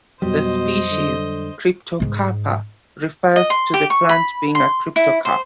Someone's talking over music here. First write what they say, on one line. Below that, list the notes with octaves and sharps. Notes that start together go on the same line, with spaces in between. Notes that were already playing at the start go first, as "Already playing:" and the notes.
The species 'cryptocarpa' refers to the plant being a cryptocarp.
F2 B2 F#3 G3 C5 D#5
D3
G#2 G#3
D#5
C6
G4
C#6
B5
C6
E4
C5